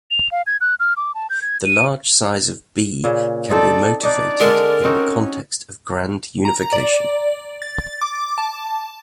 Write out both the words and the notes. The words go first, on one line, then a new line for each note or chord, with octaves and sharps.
The large size of "B" can be motivated in the context of grand unification.
F7
F5
G#6
F#6
F6
D6
A5
G6
G#6
D#7
A#2 C#3
C4 D#4 A4 D5
D4 D#4 D5
D3 G#3 A4 A#4
C4 C#4 D#4 F#4
A#5
D5
A6
D6
A5